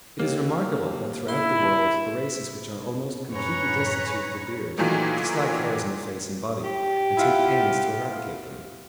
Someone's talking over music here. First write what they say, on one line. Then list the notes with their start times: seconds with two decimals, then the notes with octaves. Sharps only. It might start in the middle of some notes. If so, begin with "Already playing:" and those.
It is remarkable that throughout the world the races which are almost completely destitute of a beard dislike hairs on the face and body, and take pains to eradicate them.
0.20 D#2 A#3
1.28 E4 C6
3.32 F#2 C#4 B4 C#5 A#5
3.67 F#2 A2
4.78 A#2 D#3 E3 F#3 A3 A#3
6.64 G4
7.17 E4 F4 F#5